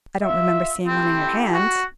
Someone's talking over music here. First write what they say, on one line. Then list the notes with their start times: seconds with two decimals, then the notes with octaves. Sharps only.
"I don't remember seeing one in your hand."
0.22 F4 E5
0.87 A3 C4 E4 G4
1.54 F#4